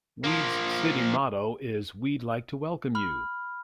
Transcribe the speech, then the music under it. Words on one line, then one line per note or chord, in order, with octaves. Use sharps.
Weed's city motto is "Weed like to welcome you".
F3 A#3
B5 F6